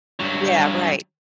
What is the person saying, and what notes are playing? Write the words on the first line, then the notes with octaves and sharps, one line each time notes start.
Yeah, right.
G2 F#3